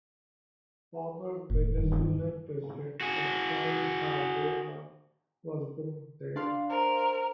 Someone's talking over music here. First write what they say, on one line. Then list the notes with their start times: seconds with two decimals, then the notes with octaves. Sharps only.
Former Venezuelan President Rafael Caldera was born there.
1.50 E1 A2
1.78 G2 D#3
3.01 F#4 G#4
6.36 D4 F5 C6
6.70 A#4 C5